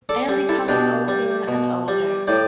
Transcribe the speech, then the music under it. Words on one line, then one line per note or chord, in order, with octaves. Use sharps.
I am becoming older and older.
A4 D5
G3
E4 A4
B2 D4 G4
G3
B2
G3
A2 D5 G5